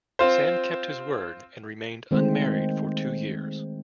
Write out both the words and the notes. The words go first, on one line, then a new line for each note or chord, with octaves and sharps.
Sam kept his word, and remained unmarried, for two years.
C4 F4 C5
D#3 G#3 A3 C4 C5